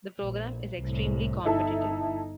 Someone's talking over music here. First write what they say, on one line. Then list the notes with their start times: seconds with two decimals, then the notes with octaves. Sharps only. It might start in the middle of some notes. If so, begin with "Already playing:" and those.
The program is extremely competitive.
0.20 A#1
0.80 C2 A2
1.45 G1 D#4 E4 A4 E5